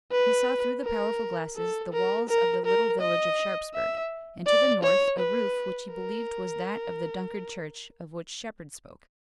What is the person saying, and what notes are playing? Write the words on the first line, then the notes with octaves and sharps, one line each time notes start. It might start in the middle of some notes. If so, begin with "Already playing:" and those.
He saw through the powerful glasses the walls of the little village of Sharpsburg, and to the north a roof which he believed was that of the Dunkard Church, of which Shepard spoke.
B4
A#4
A4
A#4
A#4
A#4
D#5
E5
D5
C#5
B4
A#4